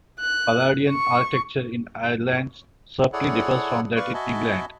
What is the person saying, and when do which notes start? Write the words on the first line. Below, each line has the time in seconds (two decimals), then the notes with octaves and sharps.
Palladian architecture in Ireland subtly differs from that in England.
0.21 F#6
0.90 C#6
3.13 E4 G#4 A4 C#5 D5 F#5
3.96 B4 D5 F5 C#6
4.14 F#4 D#5 E5 G#5 A5 B5